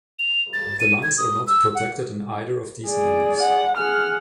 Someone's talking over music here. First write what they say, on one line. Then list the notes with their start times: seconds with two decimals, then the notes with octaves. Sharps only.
The lungs are not protected in either of these manners.
0.19 F7
0.53 A6
0.80 D#7
1.03 G#6
1.18 D#6
1.47 E6
1.75 F#5
2.87 G#4 D5
3.39 F#5
3.77 G#4 F#5 F6